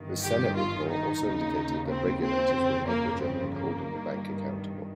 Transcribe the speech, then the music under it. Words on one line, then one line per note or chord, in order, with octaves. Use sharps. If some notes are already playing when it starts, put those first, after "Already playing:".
The Senate report also indicated that regulators were negligent in holding the bank accountable.
Already playing: G1 G2 D#3
G4
F4
D#4
D#2 C#3
C4
C4
G1 F2 C#3
A#3
C4
A#3
G1 G2 D#3